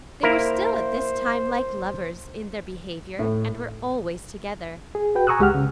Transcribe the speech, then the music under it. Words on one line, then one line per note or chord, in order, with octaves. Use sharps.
They were still at this time like lovers in their behaviour and were always together.
A#3 E4 A#4 C5
A2
G#4
F#4 B4 G5
G#5 A#5 C#6 D#6 E6 F#6
C#2 G#3 G4 F#5 F6
C#3